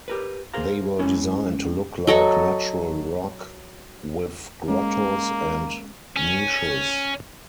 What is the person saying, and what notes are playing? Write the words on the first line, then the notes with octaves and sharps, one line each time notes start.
They were designed to look like natural rock, with grottos and niches.
G4 A#4 B4
G#4 A#4 C5 F5 A#5
G#3 C#4 E4
F#3 A4 D#5 C#6
G#3 A#3 C#4
C#4